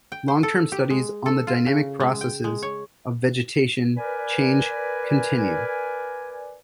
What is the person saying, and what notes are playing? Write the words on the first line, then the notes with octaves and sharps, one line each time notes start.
Long term studies on the dynamic processes of vegetation change continue.
G5
C5
A4
G4
G#3
A4
F4
C#3
G#3
G5
G#3
C#5
A#4 B4 D5 G#5